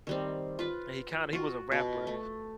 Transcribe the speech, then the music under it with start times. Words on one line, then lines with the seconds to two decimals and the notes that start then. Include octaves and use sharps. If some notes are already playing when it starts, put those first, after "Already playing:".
And he kinda he was a rapper,
0.07 D#3 G3 C4
0.59 F4 B4
1.33 F4 F#4
1.72 B2
2.07 A3